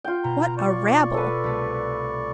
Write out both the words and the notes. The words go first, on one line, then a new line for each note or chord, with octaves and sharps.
What a rabble!
F4 G5
B2 A#5
D5 C#6
A4 B4
C2 A3